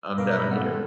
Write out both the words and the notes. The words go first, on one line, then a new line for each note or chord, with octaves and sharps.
I'm down here.
B2 A#4 B4 F5 A#5 B5 D6
G3 C4 C#4 A4 F#5
D#3